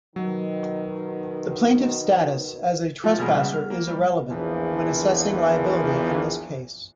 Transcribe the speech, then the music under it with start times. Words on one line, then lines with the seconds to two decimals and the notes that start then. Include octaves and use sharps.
The plaintiff's status as a trespasser is irrelevant when assessing liability in this case.
0.16 B2 D#3 F#3
3.04 F3 F4
3.19 B2 F3 G3 A#3 G#4 A#4
3.36 C#3 G3 G#3 E5 F#5 F#6
3.53 F6
3.70 A#3
3.87 G3
4.30 A#1 E2 E3 F3